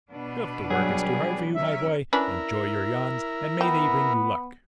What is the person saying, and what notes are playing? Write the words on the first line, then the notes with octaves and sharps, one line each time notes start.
"If the work is too hard for you, my boy, enjoy your yawns and may they bring you luck!"
B2 D4 B4
F#3 G3 G#4 F#5
C#4 A#4 E5
C#4 D4 E4 A#4 B4
B3 G5